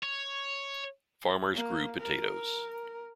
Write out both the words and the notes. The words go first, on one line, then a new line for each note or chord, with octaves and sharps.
Farmers grew potatoes.
C#5
A#3
A#4